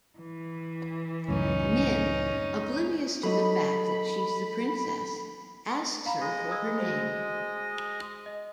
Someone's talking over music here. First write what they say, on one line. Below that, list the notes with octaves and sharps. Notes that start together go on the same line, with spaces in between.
Nin, oblivious to the fact that she's the princess, asks her for her name.
E3
C#2 F#2 A2 C#4 D#4
F#3 D#4 A4 B5
F5 A#5 B5
G#3 D#5 F5
D#6 E6 G#6
F#4 C5
D#5